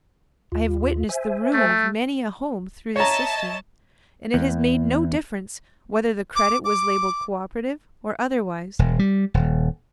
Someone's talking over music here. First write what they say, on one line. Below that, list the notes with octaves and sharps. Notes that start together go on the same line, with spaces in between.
I have witnessed the ruin of many a home through the system, and it has made no difference whether the credit was labelled co-operative or otherwise.
D#2 F4
C5 E5 G#5
A3
C#5 D#5 E5 A5 A#5
E2
D6
D6
E1
G3
D#1